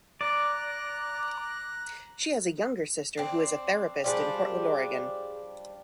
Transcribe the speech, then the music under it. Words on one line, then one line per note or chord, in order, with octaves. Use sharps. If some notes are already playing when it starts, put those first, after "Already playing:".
She has a younger sister who is a therapist in Portland, Oregon.
D5 A#5 F#6
C4 D4
F3 G3 D4 G#4 C5 D5